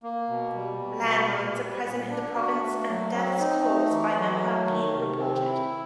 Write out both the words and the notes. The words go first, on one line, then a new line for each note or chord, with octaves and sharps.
Landmines are present in the province and deaths caused by them have been reported.
A#3
B2
G3
B2
B3
A#2
G3
A#2
D4
F#4
A3
F#3
C4
D#4
A3
E3
F#3
A3
D#3
C3
C4
E4